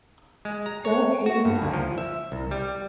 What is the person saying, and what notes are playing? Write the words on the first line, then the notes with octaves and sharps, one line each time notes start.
Go team science!
G#3
A#5
C#5
F#4
G2
D2
F3
E5
C2
G3